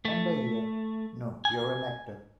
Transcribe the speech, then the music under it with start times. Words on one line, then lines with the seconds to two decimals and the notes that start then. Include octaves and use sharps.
And I hear: "No, you're an actor".
0.05 A3
1.45 G#5